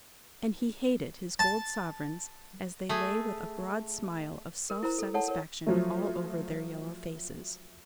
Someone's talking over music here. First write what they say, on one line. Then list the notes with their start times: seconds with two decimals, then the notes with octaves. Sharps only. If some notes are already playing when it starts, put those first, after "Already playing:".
And he hated his gold sovereigns, as they lay with a broad smile of self-satisfaction all over their yellow faces.
1.39 A5
2.89 A3 G#4
4.70 A#4
4.83 E4 A#4 C5 A#5
4.99 A4
5.14 A4 C#5 F#5 A5
5.28 A#4 C#5
5.66 F3 F#3 A3